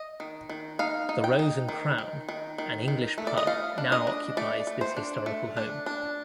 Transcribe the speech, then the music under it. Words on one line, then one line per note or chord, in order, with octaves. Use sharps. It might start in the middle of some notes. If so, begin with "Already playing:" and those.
The Rose and Crown, an English Pub, now occupies this historical home.
Already playing: D#5
D#3
D#3
D#4 F5
D#4
G5
D#4
D#3
D#3
D#3
D#3
D#3
A3
D5
D#5
A3 F5
D4
D#5
D4
A3 D5
A3
C5
D4
A3
D4
D4